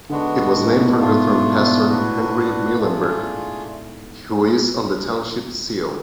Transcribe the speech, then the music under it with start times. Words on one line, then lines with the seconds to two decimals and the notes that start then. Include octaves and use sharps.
It was named for Lutheran pastor Henry Muhlenberg, who is on the township seal.
0.09 D3 G#3 B3 D4 F#4
0.55 A2
0.77 B2
0.99 G#2 A3 D4 F4
1.59 B2
1.89 A2 D4 F#4 B4
2.78 A3 D4 F4 G#4